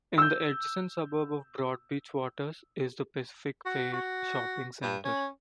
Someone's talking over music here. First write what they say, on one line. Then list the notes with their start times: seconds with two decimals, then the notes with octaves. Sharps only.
In the adjacent suburb of Broadbeach Waters is the Pacific Fair Shopping Centre.
0.18 E6 G6
3.66 F#4
3.93 F#4
4.82 G2
5.05 C#4